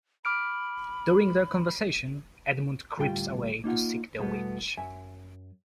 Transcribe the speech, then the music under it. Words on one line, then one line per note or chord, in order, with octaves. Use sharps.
During their conversation, Edmund creeps away to seek the Witch.
B5 D6 F6 D7
D2 A2 G3 F4 G4 G5
A#3 D#4 F4 F#5
E2 B2 E3 G3 A3 B3
F#2 E5 G#5